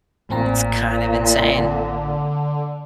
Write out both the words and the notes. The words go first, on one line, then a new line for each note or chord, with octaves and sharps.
It's kind of insane.
A1 A#2 C4 A#5
D3